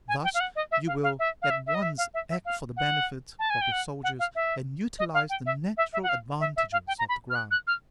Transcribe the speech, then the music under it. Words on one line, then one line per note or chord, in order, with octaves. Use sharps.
Thus you will at once act for the benefit of your soldiers and utilize the natural advantages of the ground.
G#5
G5
F5
F#5
D#5
E5
F5
F5
E5
F5
E5
E5
D#5
E5
F5
E5
E5
F5
F#5
A5
G#5
G5
F#5
F#5
F5
E5
D#5
F5
G5
E5
E5
E5
F#5
F5
E5
E5
F5
G5
A#5
B5
F6
F#6
F#6
F6